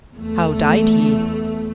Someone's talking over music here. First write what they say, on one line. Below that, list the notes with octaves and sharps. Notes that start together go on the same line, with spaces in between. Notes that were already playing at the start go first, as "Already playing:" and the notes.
"How died he?"
E2 A3